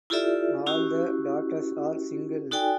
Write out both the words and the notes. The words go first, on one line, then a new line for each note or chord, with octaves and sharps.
All the daughters are single.
E4 F4 G4 A4 D5 E5
C#4 E4 F#4 G4
D#4 F#4 A4 D5 G5 G#5